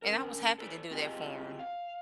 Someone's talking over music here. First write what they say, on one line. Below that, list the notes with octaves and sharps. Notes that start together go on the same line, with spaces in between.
And I was happy to do that for him.
C#4 D4 A#4
A4 B4 D5
C4 F4 G4 G#4 B4 D#5
F5